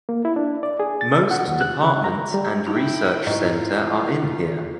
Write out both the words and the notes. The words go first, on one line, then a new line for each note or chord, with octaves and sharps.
Most departments and research center are in here.
A#3
E4
D4
D5
G#4
A6
F#5
D#2
F#6
C#3
A#5
G3
D#4 E4 G5 B5
G#2 E4 F4 G4 D#5 A#5